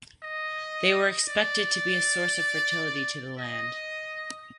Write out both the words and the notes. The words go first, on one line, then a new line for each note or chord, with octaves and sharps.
They were expected to be a source of fertility to the land.
D#5
D5
D#5